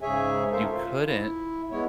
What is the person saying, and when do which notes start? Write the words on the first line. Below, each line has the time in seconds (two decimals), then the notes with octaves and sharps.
you couldn't
0.01 G#2 C#3 G#4 C#5 E5 G#5
0.52 D2 A4 A#4 C5 E5 F5
0.70 F4
1.06 E4
1.71 G#3 B3 E4 C#5